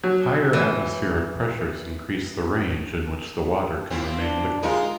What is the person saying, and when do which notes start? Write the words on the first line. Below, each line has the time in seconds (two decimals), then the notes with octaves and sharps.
Higher atmospheric pressures increase the range in which the water can remain liquid.
0.03 F#3
0.53 E3
3.90 C4 E4 F4
4.21 D4
4.62 G#3 D#4 F4 A#4